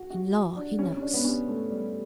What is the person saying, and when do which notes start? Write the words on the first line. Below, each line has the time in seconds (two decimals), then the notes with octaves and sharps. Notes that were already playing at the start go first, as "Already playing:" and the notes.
In law he knows.
Already playing: F#4
0.10 F#4
0.56 D4
0.79 C#4
0.97 C#4
1.02 D4
1.14 B3
1.24 C#4
1.48 A3
1.70 G3